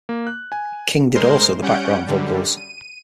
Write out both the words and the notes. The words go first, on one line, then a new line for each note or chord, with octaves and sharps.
King did also the background vocals.
A#3
F#6
G#5
A2 G#3 A#4 C5 C6
G3 C#4 F#5 G6 D7
F#2 D3 G3
D#7